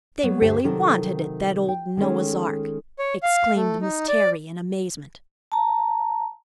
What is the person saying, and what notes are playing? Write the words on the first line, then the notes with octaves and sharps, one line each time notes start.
"They really wanted it, that old Noah's ark!" exclaimed Miss Terry in amazement.
F#3 A#3 B3
D2 G2 D3 G4 C5 E5
C3 D#3 F#3 A4 A#4
G5
D#3 G#3 A3 C#4
C#5
F5
A3
D#4
D5
A5 A#5